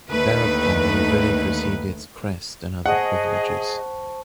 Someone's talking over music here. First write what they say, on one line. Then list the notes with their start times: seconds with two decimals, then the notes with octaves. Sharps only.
Thereupon the village received its crest and other privileges.
0.10 D#2 D3 D#3 A3 D#4 B4
2.86 G#4 C5 D#5 F#5 A5 C#6